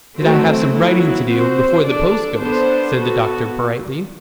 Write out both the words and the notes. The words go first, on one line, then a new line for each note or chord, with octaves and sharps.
"That I have some writing to do--before the post goes," said the doctor brightly.
F#3 A3 C4 F#4
F#3 B3 E4
C4 F#4 C5
D4 A4 D5
B3 D4 A4 C5
B3 F#4 A4